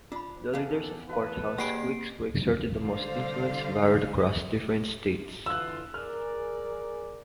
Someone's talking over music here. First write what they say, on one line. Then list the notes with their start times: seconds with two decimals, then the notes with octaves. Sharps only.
The leaders of courthouse cliques who exerted the most influence varied across different states.
0.12 D4 F4 B5
0.53 E2 D4 A4 F5
1.10 F#4 A4 B4 F5
1.58 A#3 G4 G#4 C#5 F#5 B5 C7 D7
2.83 D3 G3 C5 F5
5.46 D3 E3 F4 E6 F#6
5.94 G#4 A#4 D5 F6